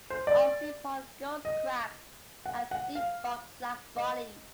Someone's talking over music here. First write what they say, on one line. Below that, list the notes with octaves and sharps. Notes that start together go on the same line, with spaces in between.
"Ocypode" ghost crabs have deep box-like bodies.
C5
D5
D#5
F#5
F#5
F5
D#5